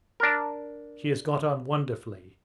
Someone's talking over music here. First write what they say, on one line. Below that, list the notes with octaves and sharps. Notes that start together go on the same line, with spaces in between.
She has got on wonderfully.
D4 A#4